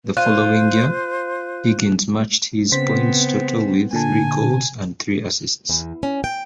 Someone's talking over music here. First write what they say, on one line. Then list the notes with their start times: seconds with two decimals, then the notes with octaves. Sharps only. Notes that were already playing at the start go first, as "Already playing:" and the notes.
The following year, Higgins matched his points total with three goals and three assists.
0.17 F4 C5 F#6 D#7
2.72 C#3 B3 C4 C5 B6
3.93 A#2 D3 G#5 A5
5.69 E2
6.03 C#4
6.24 G5